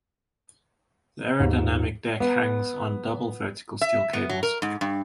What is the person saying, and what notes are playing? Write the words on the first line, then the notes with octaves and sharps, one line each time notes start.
The aerodynamic deck hangs on double vertical steel cables.
D#2 G#2
B3
E5
B3
F#3
A#4
G#2
G2